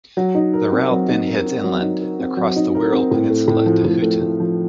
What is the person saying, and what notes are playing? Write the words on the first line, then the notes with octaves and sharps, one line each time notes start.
The route then heads inland, across the Wirral peninsula, to Hooton.
F#3
D#4
A#4
C4
F#3
D#4
A#4
C4
F#3
D#4
A#4
C4
F#3
D#4
A#4
C4
A2
A3
A2
F3
A2
A3
A2
F3